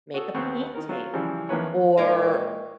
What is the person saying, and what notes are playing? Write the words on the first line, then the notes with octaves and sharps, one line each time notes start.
make a painting, or
F#4 G#4 A4
D#2 B3 C4 C#6
D#3 A#4
F#3 F4
C#3 E3 F3 G3
E2 D#3 F3 A#3 B4 C#5
A#2 G#3 D#4 F4 A#4 C#5 D5 G5